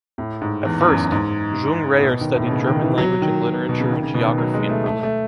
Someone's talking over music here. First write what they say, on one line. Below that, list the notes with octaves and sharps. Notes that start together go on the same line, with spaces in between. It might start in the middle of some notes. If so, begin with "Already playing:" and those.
At first, Junge-Reyer studied German language and literature and geography in Berlin.
A2
G#2
E2
E2
F#2
G#2
A2
B2
D#3
A2
B2
C#3
D#3
E3
F#3
D#3
B2
C#3
D#3
C#3
B2
D#3
F#3
G#3
A3
A3
A3